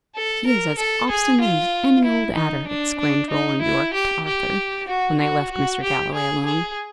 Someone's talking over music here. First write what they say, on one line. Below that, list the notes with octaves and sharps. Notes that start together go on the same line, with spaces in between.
"He is as obstinate as any old adder!" exclaimed Roland Yorke to Arthur, when they left Mr. Galloway alone.
A4
A#4
A4
G#4
F4
E4
D#4
D4
D4
D#4
E4
G4
G4
F#4
F#4
F#4
G4
G#4
G#4